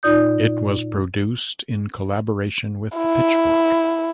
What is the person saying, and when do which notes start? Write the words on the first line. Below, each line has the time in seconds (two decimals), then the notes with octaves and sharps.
It was produced in collaboration with Pitchfork.
0.03 A#2 D#4 F4 D5 D#6 G6
2.98 E4